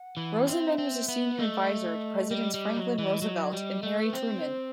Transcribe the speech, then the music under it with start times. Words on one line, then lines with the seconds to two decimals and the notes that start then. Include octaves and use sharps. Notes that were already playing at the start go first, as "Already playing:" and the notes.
Rosenman was a senior advisor to presidents Franklin Roosevelt and Harry Truman.
Already playing: F#5
0.17 E3
0.47 C4 E5
0.78 C4
1.08 B3
1.39 A3 D#5
2.31 G3
2.54 G3
2.76 F#3
2.98 E3
3.22 F#3
3.53 G3
3.83 A3
4.03 B4
4.13 C4 C5